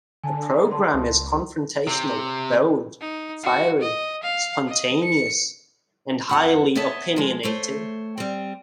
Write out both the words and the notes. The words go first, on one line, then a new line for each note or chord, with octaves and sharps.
The program is confrontational, bold, fiery, spontaneous, and highly opinionated.
D3 G#5 A5
A5 C6
C#2
C3
D#4
F#4
D#5
F5
D#5
C#7
F2 F#5 A5
B3 C#5 D#5 E5 A5
F3 G#3
A3 C5 C#5
G3 C4